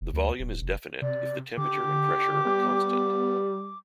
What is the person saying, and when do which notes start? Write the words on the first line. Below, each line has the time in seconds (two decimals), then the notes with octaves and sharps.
The volume is definite if the temperature and pressure are constant.
0.01 F1
0.13 D2
0.39 D1
0.61 F1
1.02 C3 D5
1.58 D3 G4 D6
2.46 G3 B3